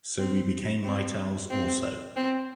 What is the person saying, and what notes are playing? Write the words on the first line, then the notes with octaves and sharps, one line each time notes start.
So we became Maytals also.
C4
C4
C4
C4